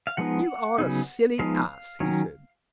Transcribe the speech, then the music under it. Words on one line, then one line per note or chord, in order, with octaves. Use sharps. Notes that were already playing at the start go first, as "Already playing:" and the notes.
"You are a silly ass," he said.
F5
F3 G#3 B3 D#4 F#5
C#3 F#3 B3 D#4
F3 G#3 B3 D#4 F5
D#3 F#3 C#4